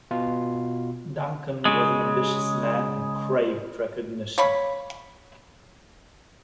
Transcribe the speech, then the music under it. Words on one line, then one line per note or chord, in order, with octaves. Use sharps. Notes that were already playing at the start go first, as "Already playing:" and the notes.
Duncan was an ambitious man who craved recognition.
B2 F4
C#3 G#3
C#5 F5 B5